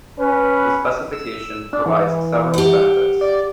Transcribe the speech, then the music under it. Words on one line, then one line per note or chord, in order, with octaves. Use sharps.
The specification provides several benefits.
C#4 B4
E6
D4
E3
G4 F#5
D5